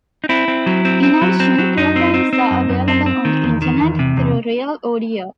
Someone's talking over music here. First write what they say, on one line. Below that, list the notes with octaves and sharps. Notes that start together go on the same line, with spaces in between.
In addition, programs are available on the Internet through RealAudio.
D#4
C4 E4
C4
F#3
C4
C4
F#3
C4
F#3
F#2 D#4
C4
C4
C4
F#2
F#2
C4
C4
D#3
E2
D#3
E2
C3
E2